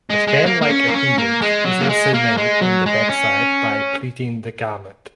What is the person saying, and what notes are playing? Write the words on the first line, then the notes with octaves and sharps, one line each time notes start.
A fan like appendage is also made in the backside by pleating the garment.
G#3
G#3
A#3
A#3
C#4
A#3
C#4
A#3
G#3
F#3
A#3
G#3
A#3
G#3
F#3
G#3
C#4